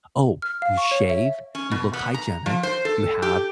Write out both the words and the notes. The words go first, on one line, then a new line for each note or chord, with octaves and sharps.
"Oh, you shave, you look hygienic, you have"
F6
F5
C#6
C#5
E5
C#4
B2
B3
A#5
F3
C5
A4
G4